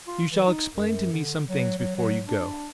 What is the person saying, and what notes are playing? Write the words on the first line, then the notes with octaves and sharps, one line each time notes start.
"You shall explain to me some things before you go."
F4
E3
D#4
F#2
D3
F#3
F#3
F#3
D4